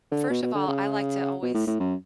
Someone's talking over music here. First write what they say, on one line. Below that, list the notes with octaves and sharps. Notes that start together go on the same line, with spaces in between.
First of all, I like to always
D3
B2
B2
D3
C#3
B2
A2
A2
F#2